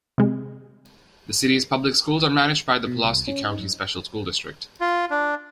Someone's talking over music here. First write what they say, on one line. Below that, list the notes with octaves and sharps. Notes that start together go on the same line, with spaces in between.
The city's public schools are managed by the Pulaski County Special School District.
C3 G#3
B2
C2
C#4
D#4
F#2
F4
D4